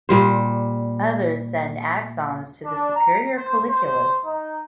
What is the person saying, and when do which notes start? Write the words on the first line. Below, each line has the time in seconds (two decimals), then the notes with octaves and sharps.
Others send axons to the superior colliculus.
0.09 A#2 G3 C5
2.65 D4
2.96 A#5
3.36 C5
3.68 C5
4.24 D#4